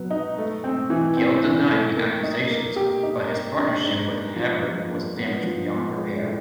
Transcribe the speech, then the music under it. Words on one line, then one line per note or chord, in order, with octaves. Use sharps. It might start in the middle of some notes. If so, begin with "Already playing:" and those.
Gill denied the accusations, but his partnership with Hebbard was damaged beyond repair.
Already playing: F#3 B3
D#4
A3
C4
E3
C4
E3
A3
A#3
D#4
A#3
G4
D#4
A#3
D4
G#2
A#3
F3
F3
A#3
B3
F3
B3
G#3
A2